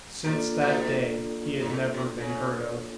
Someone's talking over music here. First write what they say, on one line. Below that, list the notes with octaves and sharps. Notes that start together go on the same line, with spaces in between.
Since that day he had never been heard of.
B2 A#3 D4 F4 A4 D5
B2
A2
A#2
C3
C#3